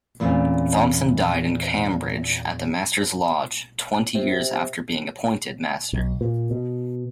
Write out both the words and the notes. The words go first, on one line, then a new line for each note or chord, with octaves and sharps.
Thompson died in Cambridge, at the Master's Lodge, twenty years after being appointed Master.
E2 A#2 A3 A#3 C4 C#4
C3
B1
A#2
B2